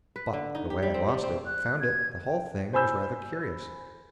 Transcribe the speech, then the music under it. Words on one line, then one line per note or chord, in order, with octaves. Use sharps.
But the way I lost it--found it--the whole thing--was rather curious.
B4
D3
D#4
G4
G3
C4
G3
C4
F#6
G#6
G5
C5 G#5 B5 E6 G6